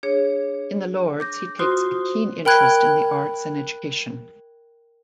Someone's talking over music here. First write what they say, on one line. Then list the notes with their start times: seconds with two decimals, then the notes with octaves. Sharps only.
In the Lords he takes a keen interest in the arts and education.
0.03 D4 G#4 C#5
1.20 D6 G6 A#6
1.59 F4 F#4 C5 C6 D#6
2.45 A#4 G5 B5 F#6 G#6